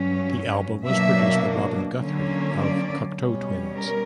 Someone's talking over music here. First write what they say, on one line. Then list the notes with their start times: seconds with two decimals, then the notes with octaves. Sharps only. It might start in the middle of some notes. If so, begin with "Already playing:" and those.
The album was produced by Robin Guthrie of Cocteau Twins.
Already playing: G2 F#3 C#4
0.85 B2 F#3 A#3 D4 E5
2.01 D3 F#3 A#3 C#4
2.59 D5
3.16 B2 G3 C#4
3.74 A#4